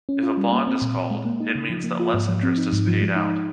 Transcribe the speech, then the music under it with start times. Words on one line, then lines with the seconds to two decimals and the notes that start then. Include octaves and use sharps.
If a bond is called, it means that less interest is paid out.
0.09 C#4
0.23 F4
0.37 G3
0.52 A#3
0.67 C4
0.82 A#2
0.96 A#2
1.11 G#3
1.25 A#3
1.40 D#4
1.55 C#3
1.70 F3
1.84 A#3
1.99 F4
2.14 G#2
2.28 F3
2.43 C4
2.58 D#4
2.73 G#2
2.87 F3
3.01 G#3
3.16 D#4